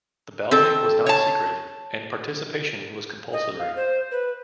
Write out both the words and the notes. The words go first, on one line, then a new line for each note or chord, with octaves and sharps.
The balloting was not secret, and participation was compulsory.
C4 A4
C#5 A5
D#5
F5
C5
B4